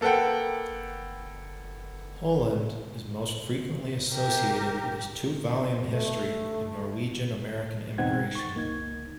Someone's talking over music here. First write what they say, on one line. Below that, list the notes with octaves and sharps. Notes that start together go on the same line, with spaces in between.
Holand is most frequently associated with his two volume history of Norwegian-American immigration.
A#3 A4 B4 F#5 G5
G4 A#4
A3
E2 B2 C4 D#4 F#5 G#6
C#6 A6
C#2 A#3 D#4 G#6